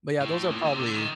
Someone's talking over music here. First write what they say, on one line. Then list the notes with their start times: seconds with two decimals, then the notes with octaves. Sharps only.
But yeah, those are probably
0.20 A2
0.50 A#2
0.65 D3
0.73 C3
0.79 D3
0.94 D#3